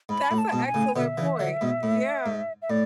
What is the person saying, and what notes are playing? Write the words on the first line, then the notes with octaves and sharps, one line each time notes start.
That's an excellent point. Yeah.
G#2 B5
A2
A5
G#2 B2
G#5
A2 C#3
B2 D3 E5
C#3 E3
D3 F#3
G#2 B2
A2
G#2
E5
A2 D5